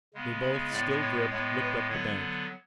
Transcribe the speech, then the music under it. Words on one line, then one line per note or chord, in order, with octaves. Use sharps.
They both, still gripped, looked up the bank.
C#3 G#3 B3
B5
A2 G#3 B3 D5
C#5
A2 G#3 B3 C#5
B4
D3 F#3 B3 C#5